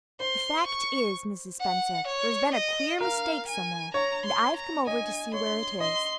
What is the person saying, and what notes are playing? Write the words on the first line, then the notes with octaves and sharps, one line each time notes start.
The fact is, Mrs. Spencer, there's been a queer mistake somewhere, and I've come over to see where it is.
C5 C6
C#6
F#5
C#5
D#5
A#4 F5
G#5
C#5 A#5
C6
A#5
D#5 G#5
C#5 C6
D#5 C6